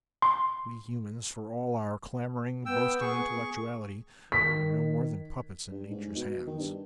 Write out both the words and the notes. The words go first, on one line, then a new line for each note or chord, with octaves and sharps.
We humans, for all our clamoring, boasting intellectuality, are no more than puppets in Nature's hands.
C6
B3 G5 E6
G#4 C#6
D#3 B6
G2
G#2
B2
D#3
G2